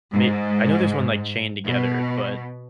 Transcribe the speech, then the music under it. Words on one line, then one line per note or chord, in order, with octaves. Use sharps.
Me I know there's one like Chained Together, but
G#2
B2